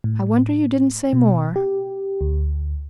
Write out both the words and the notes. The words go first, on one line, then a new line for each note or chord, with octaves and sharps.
"I wonder you didn't say more."
A2
B2
G4
D2